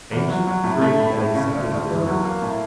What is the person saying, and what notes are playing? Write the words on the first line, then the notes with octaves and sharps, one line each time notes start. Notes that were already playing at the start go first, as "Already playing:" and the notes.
Ancient free and accepted order.
E2
F#3
F#3
A2
A3
A2
A2
C#3
D2
D2
E3
F#3
A#3
A2